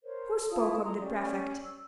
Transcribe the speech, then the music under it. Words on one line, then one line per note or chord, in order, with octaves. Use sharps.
'Who spoke of the prefect?
A#4 C5 C#5
E4 F4 A5 D#6
A#5 C6 D#6
C#4 G4 D5
E6